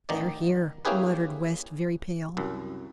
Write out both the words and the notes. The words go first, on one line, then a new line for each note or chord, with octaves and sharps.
"They are here," muttered West, very pale.
A1 D#3 D#4 D5
A#3 C#4 E4 G4 G#4 B4
C2 F#2